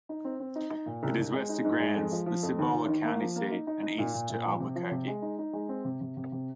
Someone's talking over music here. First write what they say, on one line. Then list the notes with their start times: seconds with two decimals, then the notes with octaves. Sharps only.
It is west to Grants, the Cibola County seat, and east to Albuquerque.
0.09 D#4
0.25 C4
0.40 C4
0.56 D#4
0.70 D#4
0.86 A#2
1.03 C2
1.18 C2
1.34 G#3
1.49 D#4
1.64 G#2
1.80 G#3
1.96 F2
2.12 F3
2.26 F3
2.43 F2
2.59 D#2
2.73 D#2
2.89 D#3
3.04 A#3
3.20 F3
3.36 A#3
3.51 D#4
3.67 D#4
3.83 D#4
3.98 A#2
4.14 A#2
4.30 A#2
4.45 F3
4.60 C3
4.75 F3
4.92 C3
5.08 G#3
5.22 D#4
5.39 D#4
5.53 G#3
5.69 C4
5.85 C3
6.01 C3
6.17 C3
6.32 C3